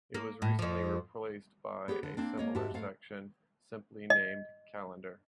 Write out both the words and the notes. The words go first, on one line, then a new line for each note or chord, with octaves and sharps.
It was recently replaced by a similar section simply named "Calendar".
A#3
A2
F2 F3
B3 G4 G#4 B4 C#5
D3
A#3 C4 D4
A#3 C#5 D#5
G#2 F#4 G4 E5 A5
G#2 A3 F5
D#5